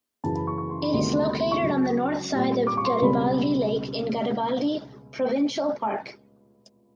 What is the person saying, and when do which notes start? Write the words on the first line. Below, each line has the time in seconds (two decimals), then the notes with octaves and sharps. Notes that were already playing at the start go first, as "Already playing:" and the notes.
It is located on the north side of Garibaldi Lake in Garibaldi Provincial Park.
0.24 F#2 C#3 E3 A5
0.35 B5
0.47 C#6
0.58 C#6
0.70 C6
0.82 B5
0.93 D2 C3 D#3 G3 B3 C6
1.04 C6
1.16 C6
1.27 B5
1.40 C6
1.51 C#6
1.63 C#2 C#3 F#3
2.32 A#2 G3 C4
2.67 D6
2.77 C#6
2.85 C6
3.02 C#2 B2 G3 C4 B5